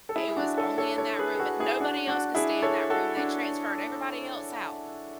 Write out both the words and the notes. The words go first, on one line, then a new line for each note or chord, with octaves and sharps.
it was only in that room and nobody else could stay in that room, they transferred everybody else out
A4
E4 G#4
G#4
D4 F#4
A4 C#5
A4 C#5
A4 C#5
G#4 B4
G#4
F#4 A4
E4 G#4
D4 F#4
D4 F#4
E4 G#4
A4 C#5
F#4 A4
D4 F#4